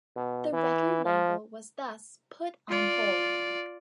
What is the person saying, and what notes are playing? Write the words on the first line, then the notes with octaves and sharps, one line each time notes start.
The record label was thus put on hold.
B2
E3
F3
F4 D5